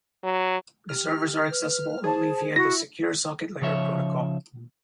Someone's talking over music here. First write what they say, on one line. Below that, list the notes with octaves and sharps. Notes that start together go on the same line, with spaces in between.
The servers are accessible only via the Secure Socket Layer protocol.
F#3
G4 F6
B4
G#4 C5 A5
E4 F#4 A#6
C#3 F3 C#5 E5